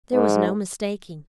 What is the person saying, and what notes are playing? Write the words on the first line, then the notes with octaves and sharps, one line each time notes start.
There was no mistaking.
G#2